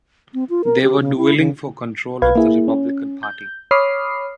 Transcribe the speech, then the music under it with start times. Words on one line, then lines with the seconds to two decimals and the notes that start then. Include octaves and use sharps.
They were dueling for control of the Republican Party.
0.34 C4
0.50 F4
0.64 A#4
0.82 G4
1.00 C#3
1.17 E4
1.38 C#3
2.22 B1 B4 F5 G#6
2.35 A#3 E4 G#4
2.68 C#4
3.23 G6
3.71 C#5 B5 D6 D#6 F6 C7